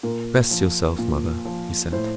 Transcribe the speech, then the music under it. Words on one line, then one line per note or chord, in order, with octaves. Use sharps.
"Rest yourself, mother," he said.
A#2 A#4
F3
A#2
F3
A2 C5